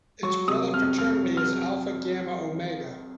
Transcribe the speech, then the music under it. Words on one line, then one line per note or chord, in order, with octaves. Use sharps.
Its brother fraternity is Alpha Gamma Omega.
F#3 C#6
C3 D#6
F2 F6
F2 F6
F#3
F6